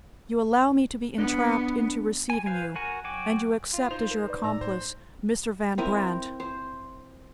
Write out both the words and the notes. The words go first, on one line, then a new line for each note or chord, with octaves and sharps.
You allow me to be entrapped into receiving you, and you accept as your accomplice Mr. Van Brandt!
B3 D4
G#5
B4 C5 F5 G#5
F#4 A#4 F#5 G#5
F#3 F#4 G5 G#5 D6
F4
D#4 C5 F7
A#4
B4 D5
A2 D#4 D5 A#5 E6
C5
C4 E4 A#4
C5